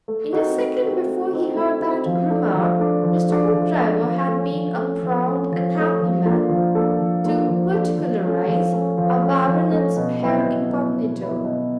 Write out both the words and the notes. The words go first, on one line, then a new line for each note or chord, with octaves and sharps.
In the second before he heard that remark, Mr. Hoopdriver had been a proud and happy man, to particularize, a baronet's heir incognito.
A3
C4 D#4 F#4
A3
C4 D#4 F#4
A3
C4 D#4 F#4
A3
C4 D#4 F#4
F3
A3 D4
F3
A3 D4
F3
A3 D4
F3
A3 D4
F3
A3 C#4
F3
A3 C#4
F3
A3 C#4
F3
A3 C#4
F3
A#3 D4 F4 A4
F3
A#3 D4 F4 A4
F3
A#3 D4 F4 A4
F3
A#3 D4 F4 A4
F3
A3 C#4
F3
A3 C#4
F3
A3 C#4
F3
A3 C#4
B2
F#3 B3 E4
B2
F#3 B3 E4
B2
F#3 B3 E4
B2